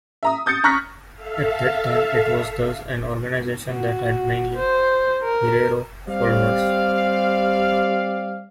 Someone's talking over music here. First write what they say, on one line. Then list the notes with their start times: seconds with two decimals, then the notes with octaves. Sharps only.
At that time it was thus an organisation that had mainly Herero followers.
0.23 E5 A#5 D#6
0.46 D#6 G6 A6 C#7
0.64 A#5 C#6 F6 F#6 A#6 B6
1.14 A4 E5 F5
3.71 F#4
4.56 C5
5.23 A#4
6.07 G3 C4 G4 C5 D5 F5